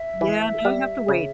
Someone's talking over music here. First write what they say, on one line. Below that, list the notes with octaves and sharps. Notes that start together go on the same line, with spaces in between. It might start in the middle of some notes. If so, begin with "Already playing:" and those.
Yeah, now I have to wait.
Already playing: E5
E3
G3
C#3